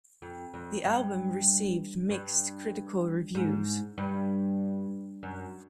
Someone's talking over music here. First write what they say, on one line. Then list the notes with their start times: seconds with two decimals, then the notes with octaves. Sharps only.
The album received mixed critical reviews.
0.22 F2
0.54 F2
0.85 G2
2.10 G2
3.35 G#2
3.98 G2
5.23 F#2